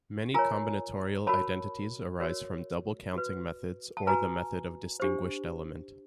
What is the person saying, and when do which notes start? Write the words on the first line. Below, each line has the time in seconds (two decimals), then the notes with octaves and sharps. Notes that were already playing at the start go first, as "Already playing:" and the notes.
Many combinatorial identities arise from double counting methods or the method of distinguished element.
0.34 F4 A#4 C#5 G#5 A#5
1.27 F#4 A#4 C#5 A5 B5
2.20 F#4 A#4 C#5
3.14 F#4 B4
3.97 A5
4.07 F#4 B4 G#5 A#5
5.00 D4 G4 C5